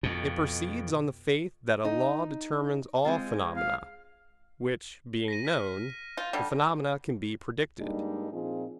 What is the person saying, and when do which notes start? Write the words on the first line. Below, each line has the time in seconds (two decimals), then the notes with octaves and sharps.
It proceeds on the faith that a law determines all phenomena, which being known, the phenomena can be predicted.
0.03 F2 B2
1.85 D#4
3.05 G#3 C4 F4
3.56 F5
5.28 A#6 B6 D#7
5.45 F6 B6
6.17 F4 G6 D#7
6.33 D3 G3
7.80 G2 G3 G#3 A#3 D4 D#4
8.33 A#2 F3 C4 D#4 F4 G#4